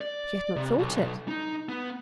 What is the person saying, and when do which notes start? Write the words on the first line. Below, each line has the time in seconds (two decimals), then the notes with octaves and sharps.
She had not thought it.
0.01 D5
0.56 C3
0.78 B1
1.28 D#4
1.69 B3